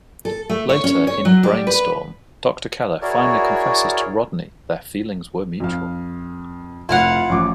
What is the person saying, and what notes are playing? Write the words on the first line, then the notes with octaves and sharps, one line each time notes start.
Later, in "Brainstorm", Doctor Keller finally confesses to Rodney their feelings were mutual.
A4
A3
C#5
C#4
C#5
F#3
G3
B4
E4 F#4 G#4 A#4 C#5 D5
F2 F5
F1 E4 F4 F5 F#5
A1 F3 D6